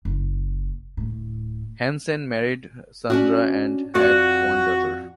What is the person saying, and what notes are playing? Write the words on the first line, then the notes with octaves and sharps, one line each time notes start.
Hansen married Sandra and had one daughter.
F#1
D1 A2
C#4 D4 F#4
F2 F#4 D5